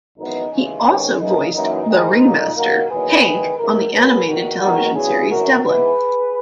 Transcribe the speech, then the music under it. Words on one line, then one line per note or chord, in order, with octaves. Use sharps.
He also voiced the ringmaster, Hank, on the animated television series "Devlin".
G#1 F#2 E3 G#3 B3 D#4
D#2 C#3 E3 G#3 C#4
G#1 G#2 D#3 G#3 B3 C#4
F#2 C#3 E3 A#3 D#4
F#2 E3 A#3 D#4
G#2 D#3 G#3 D#4
B1 A#2 A#3
F#2 D#3 A#3 F#4 A#4
E2 D#3 F#3 A#3 G#4 B4
E2 D#3 G#3
A#1 G#2 E3 G#3 F#4 A#4
F#2 C#3 F#3 A#3 G#4 B4
E2 D#3 A#3 F#4 A#4
G#1 F#2 D#3 G#3 B3 F#4 A#4
E2 C#3 F#3 B3 E4 G#4
G#1 F#2 E3 F#4 A#4
G#2 E3 B3 G#4 B4